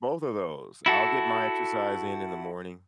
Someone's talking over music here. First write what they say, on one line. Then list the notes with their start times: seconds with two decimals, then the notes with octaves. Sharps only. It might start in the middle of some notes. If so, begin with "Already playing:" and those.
both of those I'll get my exercise in in the morning,
0.86 E4 F#4 A4